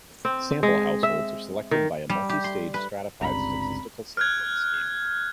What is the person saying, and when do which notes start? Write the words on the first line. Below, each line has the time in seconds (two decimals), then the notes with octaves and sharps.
Sample households are selected by a multistage stratified statistical sampling scheme.
0.25 C4
0.63 G#3
1.03 E5
1.71 D#3
2.09 G3
2.29 G4
2.44 C6
2.74 B4
3.21 G1 C#2 G2 C4 D5 A#5 B5
4.17 F6 F#6 G#6